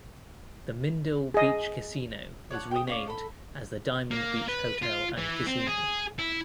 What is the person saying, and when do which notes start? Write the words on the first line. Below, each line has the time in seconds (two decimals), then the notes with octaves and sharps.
The Mindil Beach Casino was renamed as the Diamond Beach Hotel and Casino.
1.34 G#4 D#5
2.51 C#5 D5 F#5 A5
2.71 G5 D#6
2.87 C#4 F4 D5
3.07 A4 B5
4.11 A#3
4.48 B4
4.82 F4
5.18 E3
5.47 C4
5.67 G#4
6.19 E4